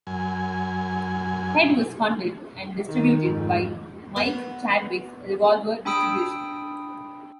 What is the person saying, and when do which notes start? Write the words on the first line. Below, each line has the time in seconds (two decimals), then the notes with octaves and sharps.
Head was funded and distributed by Mike Chadwick's Revolver Distribution.
0.07 F#2 G#5
2.87 D#3
3.23 F2 G#2
4.16 B3
5.85 D4 G5 B5 D#6 E6 D7